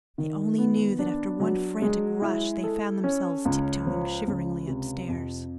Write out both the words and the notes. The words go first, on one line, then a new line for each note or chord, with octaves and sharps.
They only knew that after one frantic rush they found themselves tiptoeing shiveringly upstairs.
D#3
B3
D4
F#3
G#3
E4
A4
C#4
C#2
F3
C#2
C3
F2